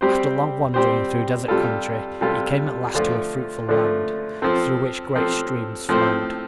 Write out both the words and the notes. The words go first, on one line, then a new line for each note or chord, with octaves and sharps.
After long wandering through desert country he came at last to a fruitful land, through which great streams flowed.
G3 C4 G4 C5
G3 C4 G4 C5
C3 G3 F4 A4
C3 G3 F4 A4
D3 F3 A3 F4
D3 F3 A3 F4
F3 C4 A4
F3 C4 A4
A2 F3 C4 A4 C5